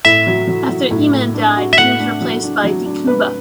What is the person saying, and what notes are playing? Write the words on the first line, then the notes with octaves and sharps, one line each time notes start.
After Eman died he was replaced by De Cuba.
A2 E5
F#3
F#3
F#3
A2
A2
D4
F#4
E5
A2 F#5
D4
F#3
D4
F#3
D4
B4